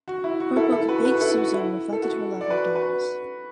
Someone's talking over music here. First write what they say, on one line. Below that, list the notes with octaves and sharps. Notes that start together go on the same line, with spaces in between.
Her book "Big Susan" reflected her love of dolls.
F#4
E4
F#4
E4 A4
E4 A4
F#4 B4
F#4 B4
E4 A4
F#4
E4
A4
F#4
D5
F#4 B4
F#4 B4